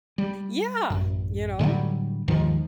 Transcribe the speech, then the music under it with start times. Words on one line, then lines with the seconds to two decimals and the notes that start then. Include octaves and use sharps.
Yeah, you know?
0.18 G3
0.90 A1 F#2
1.59 A2 D3 F#3 G3
2.28 D#2 G#2 D#3 F3